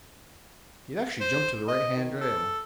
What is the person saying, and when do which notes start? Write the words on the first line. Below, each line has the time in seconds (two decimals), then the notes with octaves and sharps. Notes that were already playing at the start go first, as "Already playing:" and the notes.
He'd actually jumped to the right-hand rail.
1.20 C5
1.68 D#5
1.96 D#3
2.21 A4